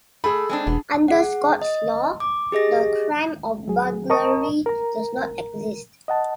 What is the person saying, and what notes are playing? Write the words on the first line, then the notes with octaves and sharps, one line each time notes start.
Under Scots law, the crime of burglary does not exist.
A3 G#4 B5
G#3 C4 D4
E1 B3
G#4 F#5
D#5
D6
G4 G#4 D#5 A#6
F#3 G#4
A#4 D#5 A5 A#5 C#6 D#6
A#4 A#5
D#5 F#5 A5